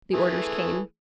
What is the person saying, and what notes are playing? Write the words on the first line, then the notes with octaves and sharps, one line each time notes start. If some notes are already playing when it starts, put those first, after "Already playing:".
The orders came.
E3 A3 G#4